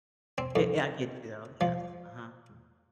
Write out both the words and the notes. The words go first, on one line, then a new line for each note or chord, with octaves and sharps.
It yeah, I get you, though yes, uh-huh.
C4
F2
F3